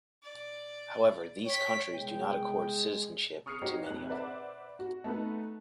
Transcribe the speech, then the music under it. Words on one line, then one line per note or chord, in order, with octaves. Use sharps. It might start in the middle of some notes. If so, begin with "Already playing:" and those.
However these countries do not accord citizenship to many of them.
D5
C#5 G5 B6
C2 G#3 B3 G5
C#6 D#6 F6 C7 C#7
D#4 F#4 G4 C5 C#5 D#5
F2 F#6
B4 C5 D5 E5 F#5 B5
F#4
A3 B3 D#4 B4